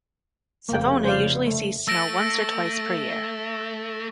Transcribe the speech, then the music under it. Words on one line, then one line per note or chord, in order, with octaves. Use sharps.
Savona usually sees snow once or twice per year.
F1 C#3 A#3 G5
C5 D5 F5
A3
A3 E6 A#6 D7